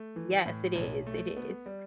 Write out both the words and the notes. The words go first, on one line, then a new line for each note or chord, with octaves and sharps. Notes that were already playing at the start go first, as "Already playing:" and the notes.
Yes, it is, it is.
Already playing: A3
E3
A2
B1
A3
B3
G3